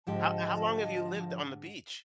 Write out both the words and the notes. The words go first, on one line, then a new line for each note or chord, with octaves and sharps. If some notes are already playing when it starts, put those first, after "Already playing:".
How how long have you lived on the beach?
G#2 D3 F3 G4 D#5 A5